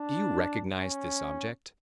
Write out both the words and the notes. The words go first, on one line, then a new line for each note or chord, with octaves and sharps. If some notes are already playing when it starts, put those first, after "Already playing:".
"Do you recognize this object?"
Already playing: D4
C#4